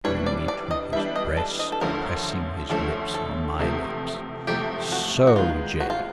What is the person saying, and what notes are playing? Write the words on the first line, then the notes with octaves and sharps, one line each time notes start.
Gathering me to his breast, pressing his lips on my lips: "so, Jane!"
E3 G3 B3 D4 C#5
D5
D5
D#5
E3 G3 B3 D4 E5
D#5
A4
D#5
A4
D2 D3 F3 A3 C#4 A#4
D2 D3 F3 A3 C#4 A4
A4
E2 C3 F3 A3
E2 C3 F3 A3 G4
F#4
F#4
D#3 G#3 B3 F4
F#4
F4